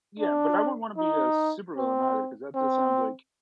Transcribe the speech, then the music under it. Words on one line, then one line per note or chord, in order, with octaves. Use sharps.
Yeah, but I wouldn't wanna be a supervillain either 'cause that just sounds like
D4
D#4
C4
C4